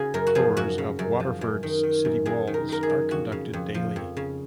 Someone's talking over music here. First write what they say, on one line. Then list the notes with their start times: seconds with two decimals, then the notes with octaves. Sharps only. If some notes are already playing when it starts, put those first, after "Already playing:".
Tours of Waterford's city walls are conducted daily.
Already playing: C#3 F#4 G#4
0.14 F#2 A#4
0.27 F#4
0.35 F3 G#4
0.57 F#2 F#4
0.78 C#3
0.99 F#2
1.20 F3
1.41 F#2
1.63 D#3
1.83 D#3
2.05 F#2
2.26 F#2 G#4
2.47 D#3
2.54 A#4
2.69 D#3 A#4
2.83 G#4
2.90 F#2
3.11 F2 F#4
3.32 C#3
3.53 F2
3.74 F3
3.96 F2
4.17 C#3